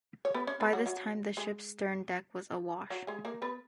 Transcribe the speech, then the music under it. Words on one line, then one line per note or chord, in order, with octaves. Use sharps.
By this time, the ship's stern deck was awash.
C#5
B3 B4
C#4 C#5
B3 B4
F#3 F#4
F#3 F#4
G#3 G#4
F#3 F#4
G#3 G#4
A#3 A#4
B3 B4